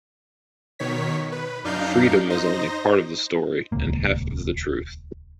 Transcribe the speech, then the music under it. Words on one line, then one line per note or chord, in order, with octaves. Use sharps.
Freedom is only part of the story and half of the truth.
B2 D#3 C#5 B6
B4
F#2 D4 D#4 F5 G6 C7
D#4 C5 D#5 A#6
D#1 C#2 A#3